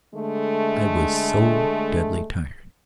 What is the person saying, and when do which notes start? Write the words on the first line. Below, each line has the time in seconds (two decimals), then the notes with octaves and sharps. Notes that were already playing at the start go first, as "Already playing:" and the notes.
I was so deadly tired.
0.15 D3 G#3 A3